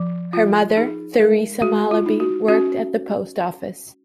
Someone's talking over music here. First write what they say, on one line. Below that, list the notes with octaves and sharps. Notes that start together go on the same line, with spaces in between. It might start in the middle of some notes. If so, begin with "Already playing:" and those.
Her mother, Theresa Malaby, worked at the post office.
Already playing: F3
F4
D#4 G#4
G#3 A#4
G#3 F#4
F4
D#4
F#4
C#4 F#4